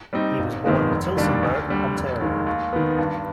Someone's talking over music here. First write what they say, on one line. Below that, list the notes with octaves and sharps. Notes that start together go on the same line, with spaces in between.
He was born in Tillsonburg, Ontario.
G3 C4 D#4
G1
F2 D#3 G#3 B3
F1
D#2 D#3 G3 D4
D2
D3 G3
F1
D#2 D#3 G#3
D#2
D#3 B3
G2